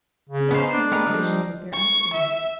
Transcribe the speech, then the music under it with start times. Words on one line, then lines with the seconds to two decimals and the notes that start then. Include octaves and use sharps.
Now came musicians with their instruments.
0.30 C#3
0.51 B3 D#4 C5
0.73 D4
0.92 G#3 B3 A#4
1.07 F3 G3 D#4
1.73 C#6
2.13 E5